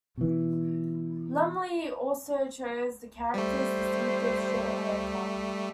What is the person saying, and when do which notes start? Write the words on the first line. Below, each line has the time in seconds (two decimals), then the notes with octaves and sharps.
Lumley also chose the character's distinctive short haircut.
0.17 B2 E3
3.34 G3 A3 C5